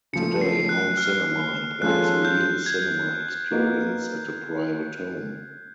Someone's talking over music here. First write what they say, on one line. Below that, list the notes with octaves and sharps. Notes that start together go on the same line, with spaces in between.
Today, home cinema implies a real "cinema experience" at a private home.
C#3 F3 A3 C#7
C7
F#6
F6
F3 G#3 C#4 F4 A4 F#6
G6
G#6
A#3 D#4 F#4 B4